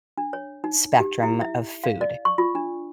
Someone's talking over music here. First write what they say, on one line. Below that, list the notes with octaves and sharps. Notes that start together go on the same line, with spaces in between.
spectrum of food.
D4
C#5
D#4
G4
E4
E5
F5
D5
C#6
F4
D4